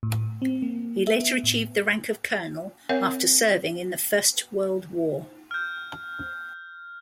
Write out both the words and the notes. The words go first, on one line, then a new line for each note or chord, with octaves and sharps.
He later achieved the rank of colonel after serving in the First World War.
A2
C4
A#3
E5
B3
A2
C4 A#4 C#5 E5 F#5
F6 G6